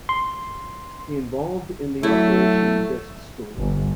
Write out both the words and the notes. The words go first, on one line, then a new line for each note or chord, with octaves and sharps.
He involved in the Operation Desert Storm.
C6
F#3 A3 E4
G1